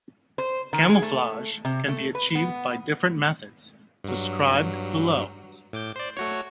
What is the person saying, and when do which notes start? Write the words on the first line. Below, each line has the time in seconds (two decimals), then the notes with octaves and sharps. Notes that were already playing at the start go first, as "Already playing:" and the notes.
Camouflage can be achieved by different methods, described below.
0.38 C5
0.73 D#3
0.89 G#4
1.02 A3
1.65 C3
1.88 A3
2.15 B4
2.35 B3
4.04 G2 F#3
5.73 A2 D6 G6
5.96 C5 D5
6.17 A3 F#4 C#5